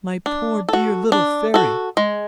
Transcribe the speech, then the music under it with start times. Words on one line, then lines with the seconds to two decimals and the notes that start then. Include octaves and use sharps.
My poor, dear little Fairy!
0.26 D4
0.69 F#4 A4
1.12 D4
1.54 F#4 A4
1.97 G#3